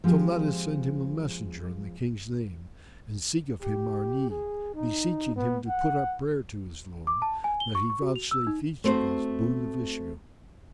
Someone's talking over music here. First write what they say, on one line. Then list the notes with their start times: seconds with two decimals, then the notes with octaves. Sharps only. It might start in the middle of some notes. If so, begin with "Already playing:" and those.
So let us send him a messenger in the King's name and seek of him our need, beseeching him to put up prayer to his Lord, that He vouchsafe each of us boon of issue.
0.04 F3 G#3 C4 F4 G4
3.62 G4
4.30 G#4
4.75 D#4
5.36 B3
5.68 F#5
7.07 D6
7.22 A5
7.44 G#5
7.60 G7
7.75 C#6
7.90 C#6
8.02 F#4
8.16 F7
8.31 E6
8.47 D#4
8.84 A3 C4 F#4 C5